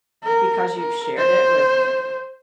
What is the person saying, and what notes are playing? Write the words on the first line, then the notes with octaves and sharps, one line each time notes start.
because you've shared it with
A#4
A#4
C5